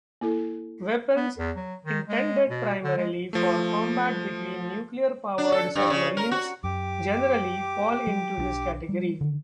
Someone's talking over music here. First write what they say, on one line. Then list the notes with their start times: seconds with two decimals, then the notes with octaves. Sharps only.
Weapons intended primarily for combat between nuclear-powered submarines generally fall into this category.
0.21 A#3 E4 A4
1.16 B3
1.38 E2
1.56 F#3
1.85 D#3
2.08 G#3
2.49 B2
2.84 D3
2.97 G#3
3.33 F3 A3
5.38 D4
5.52 A4
5.75 G2
5.90 C#3
6.17 A#4
6.31 F#4
6.64 F#2 G4 D6
8.07 F#3
8.38 B1 F#3 D4
8.89 G3
9.21 D3 D#3